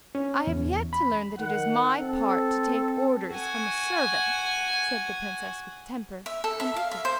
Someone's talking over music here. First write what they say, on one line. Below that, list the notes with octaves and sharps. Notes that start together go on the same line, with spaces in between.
"I have yet to learn that it is my part to take orders from a servant," said the princess with temper and dignity.
C#4
E2
B5
D#3 F#5
C4 A4
F#4 G#5
E5
A4
E5
F5
E5
C5